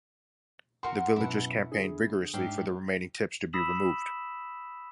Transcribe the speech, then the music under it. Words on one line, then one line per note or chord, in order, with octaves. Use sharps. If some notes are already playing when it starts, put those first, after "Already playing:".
The villagers campaigned vigorously for the remaining tips to be removed.
F#4 A#4 F#5 C6
F#2 B2 E4 F#5
D3 G#4
G#2 D4 G4 E5 F5 F#7
B5 D#6 E6 B6 E7 F#7